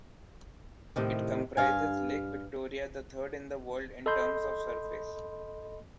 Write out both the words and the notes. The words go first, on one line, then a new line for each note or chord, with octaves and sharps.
It comprises lake Victoria, the third in the world in terms of surface.
A2 C3 D#3
G2 F5 G#5
A4 D#5 B5 C6 G6